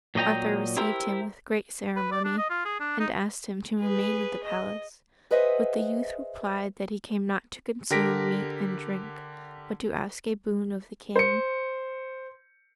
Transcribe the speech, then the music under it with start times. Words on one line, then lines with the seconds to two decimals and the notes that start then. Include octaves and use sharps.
Arthur received him with great ceremony, and asked him to remain at the palace; but the youth replied that he came not to consume meat and drink, but to ask a boon of the king.
0.15 A#2 F#3 D#5 G5 A#5
0.77 E4 G4 A#4 C5 E5
1.96 B4
2.12 D5
2.24 D4
2.38 D#5
2.50 F4
2.65 G#4
2.80 D4
3.00 D#4
3.80 G#4 B4
4.45 D#5
5.31 G#4 B4 C5 D#5 E5 F#5
7.90 D3 G4 A#4 A#6 B6 D7
11.16 C5 C#7